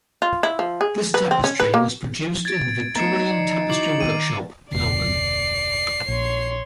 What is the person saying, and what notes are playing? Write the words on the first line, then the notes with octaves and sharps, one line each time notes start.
This tapestry was produced in the Victorian Tapestry Workshop, Melbourne.
F4
E4
F3
G#4
B4
C4
C#4
B4
A#3
G#6 A6 D7
A3 B3 D#4 A#5 A6 C7 C#7 E7
D5
E4 F#4 D6 C7 F#7
D#3 D#7
F1 D2 B2 D5 C7
A#1 C#5 C6